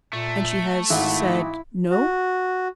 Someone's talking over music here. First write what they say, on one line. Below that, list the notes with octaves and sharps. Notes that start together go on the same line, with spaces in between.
"And she has said No?"
A#2 A3
G#1 E4 F#5
F#4